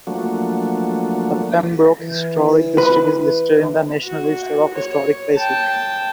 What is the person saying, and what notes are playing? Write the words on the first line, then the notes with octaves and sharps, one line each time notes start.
The Pembroke Historic District is listed in the National Register of Historic Places.
F3 F#3 A3 A#3 D4 F#4
E3
B4
F#4
C#5
G5 A5